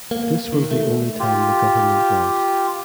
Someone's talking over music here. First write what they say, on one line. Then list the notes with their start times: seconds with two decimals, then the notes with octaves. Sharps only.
This was the only time the government lost.
0.11 A#3
0.53 D#3
0.71 A3
1.19 F4 G4